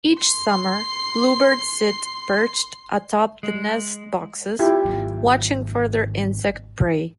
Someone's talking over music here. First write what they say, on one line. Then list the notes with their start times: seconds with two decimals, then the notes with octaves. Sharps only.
Each summer, bluebirds sit perched atop the nest boxes, watching for their insect prey.
0.18 C6 C7
3.43 G#3
4.59 E4 F4 G4
4.85 G#1 F#3